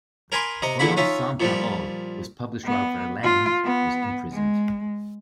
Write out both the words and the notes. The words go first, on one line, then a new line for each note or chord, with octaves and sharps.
"Romances sans paroles" was published while Verlaine was imprisoned.
A#4 B4 G#5 A#5 C6 D6
C3 D#5 A#5
E2 A#2 D3 E4 F#5 B5
C#4 D#4 F4 E5
A#2 F3 G3
B3
F4
B3
G#3